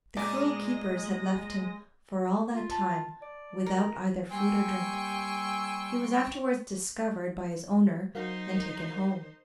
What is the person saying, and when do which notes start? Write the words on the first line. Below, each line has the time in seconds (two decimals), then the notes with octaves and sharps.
The cruel keepers had left him for all that time, without either food or drink; he was afterwards discovered by his owner, and taken home.
0.16 A#2 G#3 D5 D#5 G#5 A#6
2.53 F4
2.70 A5
3.22 D5
3.66 A#4
4.30 G3 A#3 G5 G#5 C6 C#6 E6
8.15 F#3 D#4 A#4 C5 F5